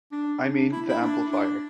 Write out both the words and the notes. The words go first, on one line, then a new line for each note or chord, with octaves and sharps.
I mean, the amplifier.
D4
D4
E4
E4
D4
D4